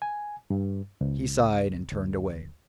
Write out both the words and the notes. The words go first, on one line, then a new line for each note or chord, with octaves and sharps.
He sighed and turned away.
G#5
G2
C#2
D2